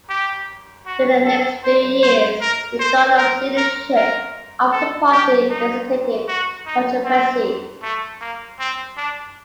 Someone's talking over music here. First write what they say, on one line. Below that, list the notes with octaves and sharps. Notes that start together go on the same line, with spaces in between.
During the next few years, McDonough's leadership of the party elicited controversy.
G4
F#4
A4
C5
C5
A#4
C5
A#4
A#4
A#4
A4
G4
D#4
F#4
D#4
C4
A3
A#3
C4
D4